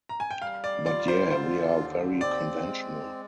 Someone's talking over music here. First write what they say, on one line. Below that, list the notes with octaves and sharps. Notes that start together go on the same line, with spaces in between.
But, yeah, we are very conventional.
A#5
G#5
G5
G3 F5
D5
F4 D5
C5
D3 C5
D#2
C4 D5
G#3